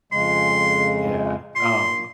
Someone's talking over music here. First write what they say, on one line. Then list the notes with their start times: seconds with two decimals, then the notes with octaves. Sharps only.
Yeah, um,
0.12 F2 C#3 G#3 C6
1.56 A#2 C6